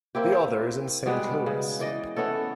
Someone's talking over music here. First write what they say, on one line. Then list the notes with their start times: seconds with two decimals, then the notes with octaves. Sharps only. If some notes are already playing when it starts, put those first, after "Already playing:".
The other is in Saint Louis.
0.15 A#3 C4 E4 G4
1.06 B2 G3 G#3 B3
1.46 C#3
1.80 E3 D5 D#5
2.16 A3 B3 C#4 A4